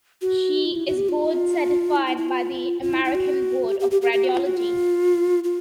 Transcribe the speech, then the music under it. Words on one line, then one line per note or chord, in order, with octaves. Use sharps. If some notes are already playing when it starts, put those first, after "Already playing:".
She is board certified by the American Board of Radiology.
F#4
F4
E4
F#4
G4
F4
E4
E4
E4
F4
F4
E4
E4
F#4
G4
G4
G4
G4
G4
F#4
F4
F#4
F4
F4